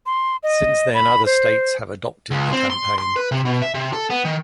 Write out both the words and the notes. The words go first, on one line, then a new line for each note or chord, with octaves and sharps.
Since then, other states have adopted the campaign.
C6
D#5
B5
C5
C#2
C4
C6
C6
B4
C3
B2
E5
C3
A4
B3
D#3